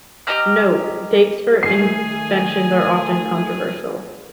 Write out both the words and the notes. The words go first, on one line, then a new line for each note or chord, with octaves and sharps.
"Note:" Dates for inventions are often controversial.
G4 D#5 A#5 F6
D#3 A3 G#4 G#5 C7